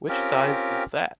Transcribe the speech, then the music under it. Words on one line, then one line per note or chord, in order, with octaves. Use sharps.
Which size is that?
C4 C#4 F4 G4 A#4